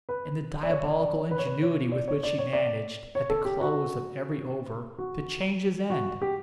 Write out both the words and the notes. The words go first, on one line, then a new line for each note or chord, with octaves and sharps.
And the diabolical ingenuity with which he managed, at the close of every over, to change his end!
B4
D5
C#5
D5
D5
C#5
B4
C#5
B4
C#5
D5
C#5
D5
C#5
D5
C#5
A4
G4
F#4
F#4
F#4
G4